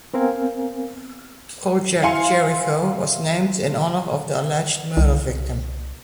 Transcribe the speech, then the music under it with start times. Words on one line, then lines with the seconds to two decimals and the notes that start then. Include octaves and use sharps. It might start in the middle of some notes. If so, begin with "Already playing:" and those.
Project Jericho was named in honour of the alleged murder victim.
0.14 B3 C4 A#4 F5 G#5
2.02 E4 F5 G#5 C6 C#7
4.97 C2